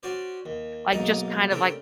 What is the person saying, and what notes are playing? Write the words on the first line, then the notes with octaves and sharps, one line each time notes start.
Like, just kind of, like
C#4 F#4 C5 D5
D#2
B1 G#2 A#3 D#4 A5 A#5
C#3 A3 C4 D4 G4 A#4